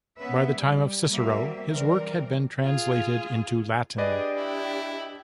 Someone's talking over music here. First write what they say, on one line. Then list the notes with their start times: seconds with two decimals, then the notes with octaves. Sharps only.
By the time of Cicero his work had been translated into Latin.
0.17 B3 C#4 B4 E5
0.54 G3
1.10 G3 A#3 C4 F#4 E5
1.69 E3 G3 C4 A#4 D5
2.63 F4 G#4
3.98 D4 G4 G#4 B4 D5 D#5
4.37 E4